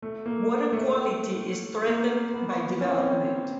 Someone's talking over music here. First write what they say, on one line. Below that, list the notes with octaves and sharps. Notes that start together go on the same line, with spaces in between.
Water quality is threatened by development.
A3
A#3
A3
A#3
B3
C#4
C4
C#4